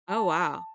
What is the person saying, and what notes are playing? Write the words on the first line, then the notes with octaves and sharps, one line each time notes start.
Oh, wow.
A5